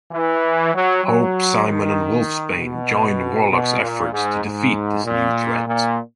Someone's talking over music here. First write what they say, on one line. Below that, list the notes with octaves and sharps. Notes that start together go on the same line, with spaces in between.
Hope, Psimon and Wolfsbane join Warlock's efforts to defeat this new threat.
E3
F#3
F#3
D#3
B2
B2
A#2
G#2
G#2
A#2
A#2